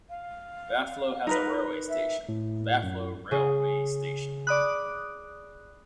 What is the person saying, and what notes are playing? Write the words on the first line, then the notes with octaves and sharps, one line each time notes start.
Baflo has a railway station - Baflo railway station.
F5
D#4 A#4 B4
E5
A2
F#2
C#3 G#4
D5 B5 D6 D#6 F#6